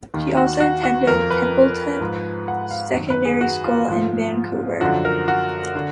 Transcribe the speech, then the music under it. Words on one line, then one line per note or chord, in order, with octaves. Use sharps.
She also attended Templeton Secondary School in Vancouver.
D#2 D#3
F#4
F#4
F#4
F2 F3 A#4
B4
G#2 F3
F#5
F5
F#2 D#3
B4
G#4
F#4
F4
G#2 F3
F#2 D3 F3 F#4
A#4
F#4
D3